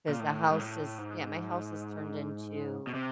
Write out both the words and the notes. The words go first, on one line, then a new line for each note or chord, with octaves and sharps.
'cause the house is yeah. My house has turned into
A#2
A2
G#2
A2
G#2
B2
C3